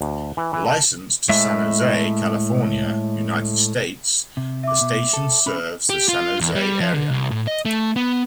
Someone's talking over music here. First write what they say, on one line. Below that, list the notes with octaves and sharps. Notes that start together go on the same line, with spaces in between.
Licensed to San Jose, California, United States, the station serves the San Jose area.
D2
E3
E3
A4
A2 G#3 E5
C3
E5 D6
B2
A4
C#4 B5
G4
F4
E2
G3
F3
D3
C2
A2
D#5
A3
B3